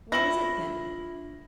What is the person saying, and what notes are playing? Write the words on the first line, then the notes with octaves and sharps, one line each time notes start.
"What is it, then?"
A3 D4 E4 F4 A#6 F#7